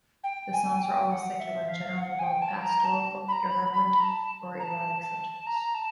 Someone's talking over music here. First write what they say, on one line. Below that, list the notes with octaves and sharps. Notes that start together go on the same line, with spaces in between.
The songs were always secular, and generally involved pastoral, irreverent, or erotic subjects.
G5
G#5
G5
F#5
E5
F5
F#5
G#5
G5
A5
A#5
A5
B5
A#5
B5
B5
A#5
A5
A#5
A5
A5
A#5
A5